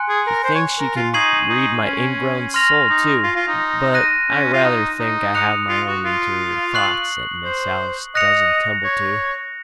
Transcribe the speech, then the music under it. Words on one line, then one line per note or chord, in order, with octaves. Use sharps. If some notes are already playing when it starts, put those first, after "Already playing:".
She thinks she can read my ingrown soul too--but I rather think I have my own interior thoughts that Miss Alice doesn't tumble to.
Already playing: G#5 C6 F#6 C#7
G#4
A#4
C5
C#5
A#4
F4
D#4 C#6 G#6 C7 D#7 F#7
D#4
C#4
C6 F6 A#6 F7
D#4
F4
F4
D#4
F#6 A#6 D#7
C#4
F4
D#4
D#4
D#6 F#6 C#7 F7
F4
F#4
F4
C#6 F#6 C7 F#7
C5
D#5 F#6 A#6 C#7 F7
C#5